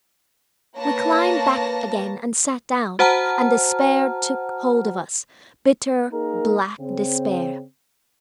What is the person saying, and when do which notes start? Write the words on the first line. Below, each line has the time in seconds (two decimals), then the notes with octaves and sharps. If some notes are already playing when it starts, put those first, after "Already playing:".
We climbed back again and sat down, and despair took hold of us, bitter, black despair.
0.77 A#3 B4 C#5 A5 A#6
2.99 F#4 C5 F#5 A5 A#5 F6
6.12 A#3 D#4 G#4 A#4
6.79 C#3 C4